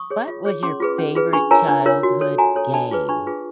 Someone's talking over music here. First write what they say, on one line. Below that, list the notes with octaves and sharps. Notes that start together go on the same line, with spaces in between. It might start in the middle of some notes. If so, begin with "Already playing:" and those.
What was your favorite childhood game?
Already playing: C#6 D#6
G#4 C#5
F4
G#4 C#5
C#4 C6 D6
F4 G#4 B4
C#4
F4 G#4 B4
D4 B5 C#6
F4 A#4 C#5 G#5 A#5
D4
F4 A#4 C#5
F#4
A4 C#5
F#4 G#5 A#5
A4 C#5
D4 A5 B5
F4 G#4 B4
D4 B5 C#6
F4 G#4 B4